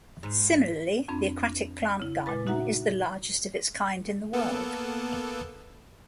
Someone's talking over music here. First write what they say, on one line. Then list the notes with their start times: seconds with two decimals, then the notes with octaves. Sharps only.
Similarly, the Aquatic Plant Garden is the largest of its kind in the world.
0.23 G#2
1.08 F2 C4 D4 B5
2.00 C#3 E4
2.26 A#2 G#3 B4 A6
2.47 D#4 F#4 E5 F#5 A#5
4.33 A#3 B3 A4